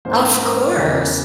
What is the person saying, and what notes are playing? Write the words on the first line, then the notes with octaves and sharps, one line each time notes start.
Of course.
G#2 E3 A#3 C#4 C5
A#4
E2 C#3 E3